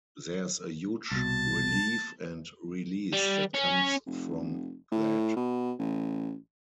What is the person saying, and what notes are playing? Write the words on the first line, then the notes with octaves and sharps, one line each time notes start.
There's a huge relief and release that comes from that.
C2 B2 A5
G3
C#4
F1
A2
B2
A1